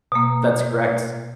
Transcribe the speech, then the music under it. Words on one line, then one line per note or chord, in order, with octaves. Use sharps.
That's correct.
B2 A#3